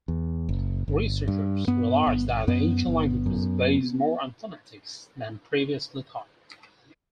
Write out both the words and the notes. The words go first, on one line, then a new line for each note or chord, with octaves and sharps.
Researchers realized that the ancient language was based more on phonetics than previously thought.
E2
F#1
G1
G2
G2 B3
G1
F#2 B3
G1
F#2